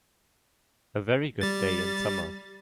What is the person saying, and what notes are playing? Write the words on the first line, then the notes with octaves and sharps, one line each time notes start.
A very good day in Summer.
G3 A6